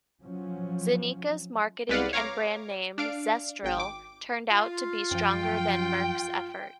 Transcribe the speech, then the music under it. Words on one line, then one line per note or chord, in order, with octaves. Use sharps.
Zeneca's marketing and brand name, "Zestril", turned out to be stronger than Merck's effort.
F3 F#3 C#4
C2 G#3 B4 D5 F5 F#5
C#5 F5 A#5 D6
D4 F5 D7
G#1 G5
D6
F4
F#2 F3 G5